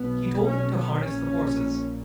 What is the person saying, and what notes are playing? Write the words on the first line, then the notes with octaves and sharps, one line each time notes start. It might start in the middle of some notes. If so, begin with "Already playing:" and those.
He told them to harness the horses.
Already playing: B1 B2 B3
C#4
B3
A#1 A#2 C#4